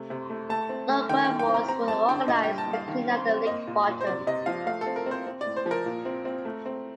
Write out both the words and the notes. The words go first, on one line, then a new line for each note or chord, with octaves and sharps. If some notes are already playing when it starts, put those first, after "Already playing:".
Local efforts were organized to clean up the lake bottom.
Already playing: C3 A3
C3
A3
A3 A5
C4
A3
D#3 G5
D#3 G5
G5
C4
A#5
C4 A#5
C4 A5
D3 G5
A#2 D#5
G3 G5
A5
G3
F5
D#3
C4
C4
A#3 D#5
A#2
A#2
C5
C3 D5
C3 D#5
F3 F5
A3 F5
A4
C4
A#4
C4 C5
C4
A2 D5
C5
F3
A#4
A#2
C4
C4
A3
C4